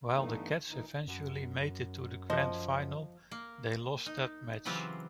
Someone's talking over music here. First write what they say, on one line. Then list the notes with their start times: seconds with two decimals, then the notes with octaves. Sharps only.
While the Cats eventually made it to the grand final, they lost that match.
0.13 G2 D3 E3 A3 B3 D#4
0.69 A#2 E3 D#4
1.07 F#2
2.30 F3 D#5
3.31 A#3
4.06 D#4
4.65 C#3 E3 F#3 C4 F4 G4